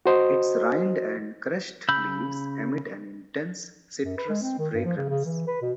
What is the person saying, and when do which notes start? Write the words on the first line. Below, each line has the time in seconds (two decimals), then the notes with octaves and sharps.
Its rind and crushed leaves emit an intense citrus fragrance.
0.06 F#4 C5 D#5
1.89 C#3 B5 E6 G6
4.04 F#2
4.18 B4
4.29 G#3
4.42 C4
4.58 D#3
4.74 G2
4.85 F3
4.97 C#3
5.09 C#3
5.25 E3
5.47 B4
5.62 B2